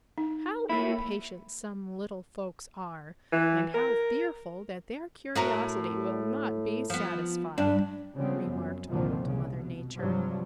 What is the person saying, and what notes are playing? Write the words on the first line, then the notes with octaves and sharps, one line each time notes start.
"How impatient some little folks are and how fearful that their curiosity will not be satisfied," remarked Old Mother Nature.
D#4
A3 A#3 E4 B5
E3
A#4
A2 F#4 A#4
F3 B3
G2 D4
C#3 F3 G3 B3 C4
F#2
C2 F2 A#2 D3 D#3 F3
F1 C2 C#3
B2
G2 C3 F3 F#3